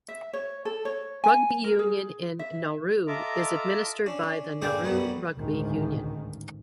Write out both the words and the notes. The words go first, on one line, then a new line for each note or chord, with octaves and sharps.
Rugby union in Nauru is administered by the Nauru Rugby Union.
E5
C#5
A4
C#5
G#5
A#4
G#4
E5
F4 A4 D#5 E5 A#5 D6
C#4 D4
G2 A#2 D4 G#4 G5 D6
B1 F#2 F#3 G3 B3
A1 D2 G#2 D#3